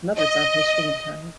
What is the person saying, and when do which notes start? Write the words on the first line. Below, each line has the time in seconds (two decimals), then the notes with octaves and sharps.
Another example is string interning.
0.17 D#5